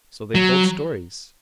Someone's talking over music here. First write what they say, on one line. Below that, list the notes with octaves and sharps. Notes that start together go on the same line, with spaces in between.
So they told stories.
F#3